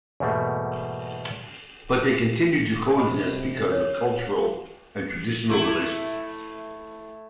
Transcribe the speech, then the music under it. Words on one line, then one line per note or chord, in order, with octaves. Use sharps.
But they continue to co-exist because of cultural and traditional relationships.
E2 G#2 B2 G3 A3 A#3
C3 D#5 F#5 B5
D4 C#5
A3 E4